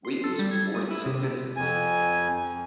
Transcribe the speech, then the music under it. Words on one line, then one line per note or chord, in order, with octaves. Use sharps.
Williams was born in Saint Vincent.
C6
A4
G3
G#6
D#6
E4
C3
F2 G#5